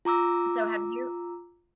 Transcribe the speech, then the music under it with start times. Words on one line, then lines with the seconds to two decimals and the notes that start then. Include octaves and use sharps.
So have you
0.05 F4 A#5 D6 E6